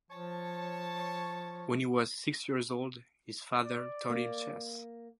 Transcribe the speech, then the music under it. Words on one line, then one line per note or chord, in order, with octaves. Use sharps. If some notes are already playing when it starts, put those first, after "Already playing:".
When he was six years old, his father taught him chess.
F3 C#5 A5
D5
A#3